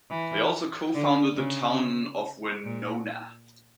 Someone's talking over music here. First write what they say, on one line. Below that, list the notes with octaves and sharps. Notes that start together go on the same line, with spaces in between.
They also co-founded the town of Wenona.
E3
D3
C#3
A#2